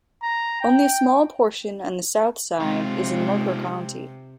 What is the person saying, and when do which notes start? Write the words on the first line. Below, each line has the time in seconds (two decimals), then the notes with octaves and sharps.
Only a small portion on the south side is in Mercer County.
0.23 A#5
0.61 G5
2.60 G#2 C3 G#3 C4 F4